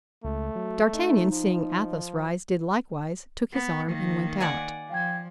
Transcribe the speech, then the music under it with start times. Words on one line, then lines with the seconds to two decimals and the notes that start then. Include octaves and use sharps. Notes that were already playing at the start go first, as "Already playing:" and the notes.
D'Artagnan, seeing Athos rise, did likewise, took his arm, and went out.
0.24 C#2 A3
0.56 F#3
0.94 D#4
1.31 F3
3.54 B3
3.87 D#3 A#3
4.40 D5 F#5 G#5
4.90 F3 F5 G5 G#6